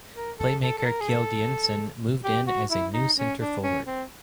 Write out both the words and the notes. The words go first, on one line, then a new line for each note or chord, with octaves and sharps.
Playmaker Kjeld Jensen moved in as the new center forward.
A#4
A4
A4
A4
A#4
G#4
A4
G4
F#4
E4
D#4
C#4
D4
C#4
C4